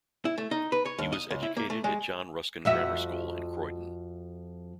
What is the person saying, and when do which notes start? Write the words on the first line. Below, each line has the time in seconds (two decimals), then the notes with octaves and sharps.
He was educated at John Ruskin Grammar School in Croydon.
0.25 E4
0.38 A3
0.51 D#4
0.72 B4
0.85 C#5
0.98 D#2
1.12 D#5
1.31 C#2
1.43 E4
1.57 A#3
1.70 A3
1.84 G#3
2.65 F2 F#4 E5